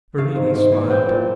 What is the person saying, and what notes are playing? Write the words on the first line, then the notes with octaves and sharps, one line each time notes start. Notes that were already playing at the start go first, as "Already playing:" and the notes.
Bernini smiled.
A3 F5
G#2
G#2
E3
C4 G5
A#2